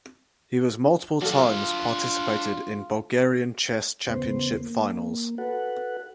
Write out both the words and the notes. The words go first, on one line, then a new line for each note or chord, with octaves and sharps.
He was multiple times participated in Bulgarian Chess Championship finals.
F#3 D4 F4 A4 F5
E2 C#3 B3 C5
A#3
F#4 A4 B4 F#5